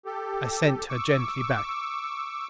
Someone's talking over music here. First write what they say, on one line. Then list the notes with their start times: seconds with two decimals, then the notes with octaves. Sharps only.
I sent her gently back.
0.05 G4 A4
0.89 C#6 D6 E6